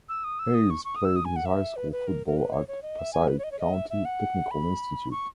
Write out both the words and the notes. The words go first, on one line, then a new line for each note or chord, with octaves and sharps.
Hayes played his high school football at Passaic County Technical Institute.
E6
D#6
E6
D#6
C#6
C#6
D#6
E6
D#6
G#5
F#5
E5
B4
B4
A#4
A#4
B4
C#5
C#5
D#5
E5
G#5
B4
C#5
D#5
C#5
D#5
E5
E5
F#5
B5
C#6